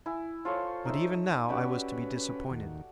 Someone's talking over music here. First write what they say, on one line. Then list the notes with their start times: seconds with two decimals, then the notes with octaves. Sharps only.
But even now I was to be disappointed.
0.06 E4 G#5
0.45 F4 A4 C5 C#5
0.85 D#4 E5
1.49 C#4 F#4 G4 B4 D5
2.51 D#2